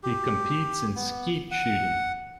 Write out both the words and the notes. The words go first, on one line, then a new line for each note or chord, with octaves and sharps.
He competes in skeet shooting.
G4
B3
F#5